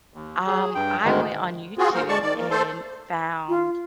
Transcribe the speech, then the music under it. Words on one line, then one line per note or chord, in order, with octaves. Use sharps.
Um, I went on YouTube and found
D#2
F#3 G#4
G2 G5
D2 G#2 D#3 G#3
C4 F4 F#4 G#4
A#3 A#4 C5
G#3 D5 A5 C#6
D#3 D5
A#3
A3 A4 C5
F4